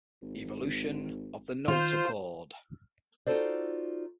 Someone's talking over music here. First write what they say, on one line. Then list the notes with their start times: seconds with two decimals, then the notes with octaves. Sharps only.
Evolution of the notochord.
0.22 G#1
1.68 D#3 F4 C5
3.27 D#4 F4 F#4 A4 C5 D5